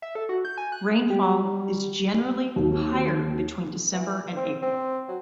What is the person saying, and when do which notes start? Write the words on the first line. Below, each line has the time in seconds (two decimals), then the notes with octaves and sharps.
Rainfall is generally higher between December and April.
0.02 E5
0.15 A4
0.29 F#4
0.45 G6
0.58 G#5
0.72 F#6
1.10 G3 G4
2.56 D#2 F#3
3.92 E3
4.37 C4
4.62 C4
5.08 F#3